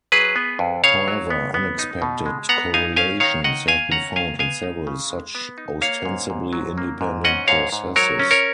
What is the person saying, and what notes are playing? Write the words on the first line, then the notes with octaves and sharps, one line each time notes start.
However, unexpected correlations have been found in several such ostensibly independent processes.
F#3 G#4 B4
B3
F2
C#3 C#5 F5
F#3
B3
B3
D#4
B2
G#3
B3 F#5 A#5
D#4 F5 G#5
C#4 F5 G#5
D#3 C#5 F5
D#3 D#5 F#5
A#3 F5 G#5
C#4 F#5 A#5
D#3 F5 G#5
B3 F5 G#5
D#4
C#3
G#3
B3
D#4
A#3 C#5 F5
G#2
G#2
F#3
A#3
G#2
C#4 D#5 F#5
G#2 C#5 F5
G#2
F#3 A#4 C#5
C#4
A#4 C#5